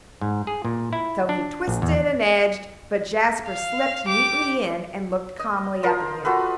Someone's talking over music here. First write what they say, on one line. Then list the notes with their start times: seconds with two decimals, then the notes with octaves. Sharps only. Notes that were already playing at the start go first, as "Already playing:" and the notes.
So he twisted and edged, but Jasper slipped neatly in, and looked calmly up at him.
0.21 G#2
0.47 G#4
0.65 A#2
0.93 E4
1.29 D4
1.68 A#1
1.82 E2
3.48 F5
4.06 G4 D6
5.39 D#5
5.83 F4 A#4 C5
6.25 F4 F#4 A4 B4